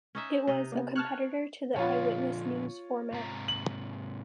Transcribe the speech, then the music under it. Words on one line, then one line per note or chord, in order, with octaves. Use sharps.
It was a competitor to the "Eyewitness News" format.
C#4 D#4 E5
C3 D#4
A#3 B3
C#5 A5 F6 F#6
A#2 D3 F3 F4 C#5
G#2 C3 A#5
F#7